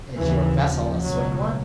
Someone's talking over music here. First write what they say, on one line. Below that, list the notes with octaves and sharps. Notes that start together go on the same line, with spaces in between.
"Is your vessel a swift one?"
D#2 C#3 E3
F3
C#2 B2 F#3